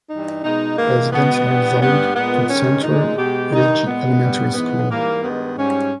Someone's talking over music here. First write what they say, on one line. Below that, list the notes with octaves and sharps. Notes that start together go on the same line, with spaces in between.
Residents are zoned to Central Ridge Elementary School.
G2 E3 G3 D#4
B2 G#3 D#4
G2 E3 G#3 A#3
B2 G#3 B3
G2 E3 G3
G2 G3 B3
A#2 G#3 B3
G2 D#3 G#3 C#4
A#2 G#3 D#4
B2 G#3 G4
G2 D#3 G3 D#4
A#2 G#3 B3
G2 G3
G#2 E3 G#3 B3
G#2 E3 G3 A#3
G2 D#3 G#3 B3
G#2 G3 C#4